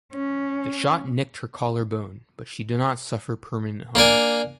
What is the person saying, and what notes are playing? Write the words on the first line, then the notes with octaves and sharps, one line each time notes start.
The shot nicked her collar bone but she did not suffer permanent harm.
C#4
A#3 D4 A#4 G#5